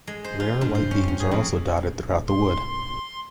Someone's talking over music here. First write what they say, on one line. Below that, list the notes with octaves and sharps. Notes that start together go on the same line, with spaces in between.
Rare whitebeams are also dotted throughout the wood.
G#3
C5
F4
G2
C5
C#4
C#4
G#4
F2
C6